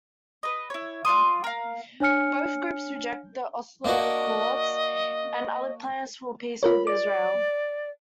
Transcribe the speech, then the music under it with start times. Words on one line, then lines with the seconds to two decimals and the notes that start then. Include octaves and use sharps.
Both groups reject the Oslo Accords and other plans for peace with Israel.
0.43 B4 D#5
0.70 E4 C#5
1.05 F4 D5 C6 D#6
1.44 A#4 F5
2.00 D4 C#5 G#5 F6 C#7
3.85 A#3 D4 F#4 D#5
6.63 F4 A#4 C#5 B5
6.87 D5 D6